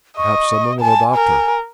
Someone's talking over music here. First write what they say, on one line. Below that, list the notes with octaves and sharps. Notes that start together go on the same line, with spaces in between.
Perhaps some one will adopt her.
D#5 C#6
G#5 A5
A#4